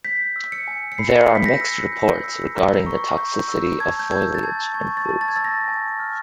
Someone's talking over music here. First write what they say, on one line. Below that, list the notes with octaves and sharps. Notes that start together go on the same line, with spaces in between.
There are mixed reports regarding the toxicity of foliage and fruit.
G6 B6
E6
C#7
G#5
C#7
B5 C7
G6
B6
A#6
E6
G6
E6
A#5
C#6
G6
E6
A5 G#6
G6
E6 G#6
A6
A5 G#6
C#6 G#6
A6
A5
A6
G#6
E6 A6
A#6
G#5
F6